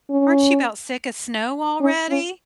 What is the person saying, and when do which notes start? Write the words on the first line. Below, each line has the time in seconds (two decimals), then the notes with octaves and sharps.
aren't you 'bout sick of snow already?
0.10 C#4
1.81 C#4
2.09 C#4